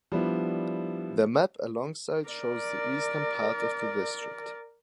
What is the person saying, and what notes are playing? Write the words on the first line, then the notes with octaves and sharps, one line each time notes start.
The map alongside shows the eastern part of the district.
F3 G3 B3 D4 E4
A#4 D5